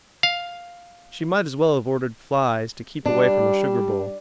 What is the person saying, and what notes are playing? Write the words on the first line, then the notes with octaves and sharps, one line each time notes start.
She might as well have ordered flies to keep away from a sugar-bowl.
F5
G3 D4